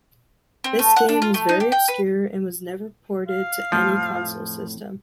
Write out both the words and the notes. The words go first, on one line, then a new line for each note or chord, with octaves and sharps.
This game was very obscure and was never ported to any console system.
C4
A3
F#5
D4
F4
A3
D#4
G4
G5
B4
F5
F2 A2 F3